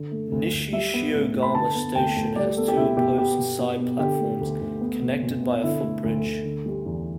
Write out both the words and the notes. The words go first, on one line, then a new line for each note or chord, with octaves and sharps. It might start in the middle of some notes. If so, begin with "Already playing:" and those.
Nishi-Shiogama Station has two opposed side platforms connected by a footbridge.
Already playing: D3
A3
D2
D2
G3 E5
B3
A2
A2
B5
D3 A5
B3
D2 G5
D2
G3 D5
B3 A4
G4
B2 E4
B2 G4
B3 G4
B2
B2
B3
D3 G4
A3
D2
D2
B3
B2
B2
B3
D3 E4
A3
D2
D2
D3
G3
E2